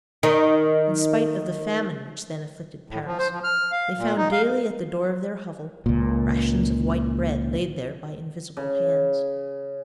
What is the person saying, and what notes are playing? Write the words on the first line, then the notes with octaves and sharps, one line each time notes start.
In spite of the famine which then afflicted Paris, they found daily at the door of their hovel rations of white bread, laid there by invisible hands.
D#3 D#4
A2
F3
C5
F3
F6
F5
A#2
D#4
F5
C#2 A#2
C#3